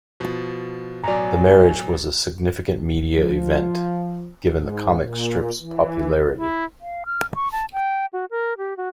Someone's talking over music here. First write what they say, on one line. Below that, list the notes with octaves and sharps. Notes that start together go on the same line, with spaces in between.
The marriage was a significant media event, given the comic strip's popularity.
B2 F3
A1 B2 F#3 D5 G#5 A#5
F3
G#2
A#2
E3
E4
F5
F6
C#6
A5
G5
F#4
A#4
G4
F#4